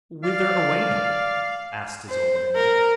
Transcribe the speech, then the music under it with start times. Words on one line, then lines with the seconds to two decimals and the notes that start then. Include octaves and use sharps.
'Whither away, now?' asked his old dame.
0.24 D5 F5
2.09 C5
2.56 A#4